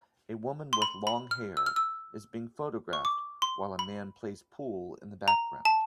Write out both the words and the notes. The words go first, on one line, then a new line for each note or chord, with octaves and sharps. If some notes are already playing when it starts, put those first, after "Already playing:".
A woman with long hair is being photographed while a man plays pool in the background.
C6
B5
B5
F6
E6
F6
E6
C#6
D6
C6
B5
A#5
A5